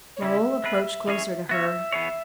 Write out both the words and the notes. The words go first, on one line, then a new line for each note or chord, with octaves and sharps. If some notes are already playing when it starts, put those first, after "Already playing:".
Raoul approached closer to her.
C#5
C#3 G#3 C#4 E4 E5
G#3 B3 G#4 B4
E3 C#4 G#4 C#5
B3 F#4 C#5 E5
E3 B3 G#4 C#5